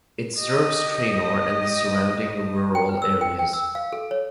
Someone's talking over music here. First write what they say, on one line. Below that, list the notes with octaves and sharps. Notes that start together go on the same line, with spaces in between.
It serves Treynor and the surrounding rural areas.
G4 D#5
G5
B4
E6
G5
G5
E6
F5
A4
C#5